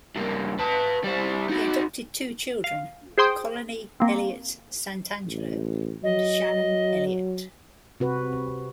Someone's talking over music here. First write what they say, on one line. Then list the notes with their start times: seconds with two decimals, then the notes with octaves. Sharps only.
They adopted two children, Colony Elliott Santangelo and Shannon Elliott.
0.16 G2 A#3
0.59 B4 A5
1.04 G3 C5
1.49 D#4 F#4
2.64 F5
3.18 G#4 C5 G5 C6 D#6 G6
4.00 A#3 C4
5.26 A1
6.03 F#3 D#5
8.00 C3 F#4 B4